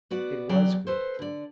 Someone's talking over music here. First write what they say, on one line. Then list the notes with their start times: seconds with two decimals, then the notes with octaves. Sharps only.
It was good.
0.11 B3 F#4 D5
0.49 E2 F#3 D5 G5 A#5
0.87 A4 B4 C5
1.19 D3 D5